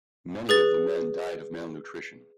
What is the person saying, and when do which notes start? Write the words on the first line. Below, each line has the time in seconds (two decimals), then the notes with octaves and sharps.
Many of the men died of malnutrition.
0.49 G#4 B4 A6